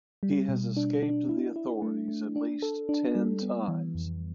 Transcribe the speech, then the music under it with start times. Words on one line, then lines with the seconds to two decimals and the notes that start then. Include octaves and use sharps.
He has escaped the authorities at least ten times.
0.23 G3
0.49 B2
0.76 D4
1.03 D4
1.29 E4
1.56 E4
1.82 A3
2.08 A3
2.36 D4
2.62 A4
2.89 D4
3.15 G3
3.42 B3
3.68 E3
3.95 F2